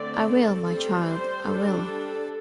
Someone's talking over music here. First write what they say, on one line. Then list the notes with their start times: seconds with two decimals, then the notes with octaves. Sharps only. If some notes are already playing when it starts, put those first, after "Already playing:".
I will, my child, I will.
Already playing: D3 A3 C4 D5
0.26 A4
0.65 G3 C4 A4
1.06 C5
1.46 G3 D4 A4